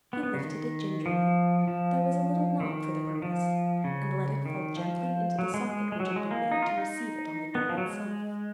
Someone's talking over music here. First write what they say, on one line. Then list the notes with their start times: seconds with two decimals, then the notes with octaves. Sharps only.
He lifted it gingerly--there was a little knob for the purpose--and let it fall gently into the socket which had been made to receive it on the door itself.
0.13 B3
0.23 B3
0.34 C#3
0.44 D#3
1.06 F3
1.68 F3
2.60 D#3
3.22 F3
3.84 C#3
4.46 D#3
4.77 F3
5.39 F#3
5.54 G#3
5.70 G#3
5.92 G#3
6.00 F#3
6.16 G#3
6.31 A#3
6.51 D#4
6.62 F4
6.78 D#4
7.55 B3
7.69 F3
7.78 F#3
7.86 G#3